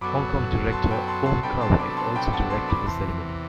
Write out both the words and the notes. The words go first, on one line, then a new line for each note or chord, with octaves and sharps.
Hong Kong director Wong Kar-wai also directed the ceremony.
F#2 F#3 B3 F#4 A4 B5 D6
A5 C6
G5 B5
A5 C6
A5 C6
C3 F#3 B3 D4 A4 G5 B5
A5 C6
B5 D6
A5 C6
G5 B5
F#5 A5
A5 C6
B5 D6
E2 C3 E3 A5 C6